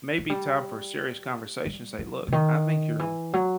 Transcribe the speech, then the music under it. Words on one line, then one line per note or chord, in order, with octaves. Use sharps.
maybe time for a serious conversation to say, "Look, I think you're
F#3
G3
G3
F#3
C3
D#3
E3
F#3